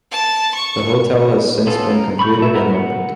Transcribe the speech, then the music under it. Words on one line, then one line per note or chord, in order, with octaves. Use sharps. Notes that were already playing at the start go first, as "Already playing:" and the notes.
The hotel has since been completed and opened.
A5
C#6
B3 C#4 F4 A4
A#4
B5 C#6 F6 G6
A3 E5
B3 A#4
F#5